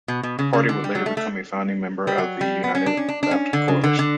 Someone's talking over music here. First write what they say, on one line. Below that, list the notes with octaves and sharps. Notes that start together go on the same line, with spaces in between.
The party would later become a founding member of the United Left coalition.
B2
B2
C#3
C#3
D3
G3
F#3
A3
A3
G3
F#3
G3
B3
C#4
D4
C#4
D4
D4
C#4
D3
C#3
D3
D3